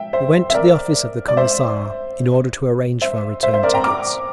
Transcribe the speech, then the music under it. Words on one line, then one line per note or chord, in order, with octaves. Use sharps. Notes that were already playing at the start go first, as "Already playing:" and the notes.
We went to the office of the Commissar, in order to arrange for our return tickets.
Already playing: E5 G5
C5 E5
E5
A#4 D5
D5
C5 E5
C5 E5
C5 E5
C5 E5
A#4 D5
G5 A#5
A#5 D6